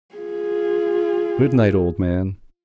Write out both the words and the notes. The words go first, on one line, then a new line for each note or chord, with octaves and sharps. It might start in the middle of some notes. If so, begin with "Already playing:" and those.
"Good-night, old man."
F4 G#4